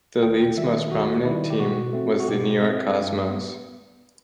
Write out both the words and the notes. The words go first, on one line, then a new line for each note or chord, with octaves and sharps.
The league's most prominent team was the New York Cosmos.
D#2 G5
D#3 G3 E5
D#2 F#4
D#3 G3 E4
G4
B2 F#4
A3 C4
F#4
B2 G4
A3 C4
G2
B3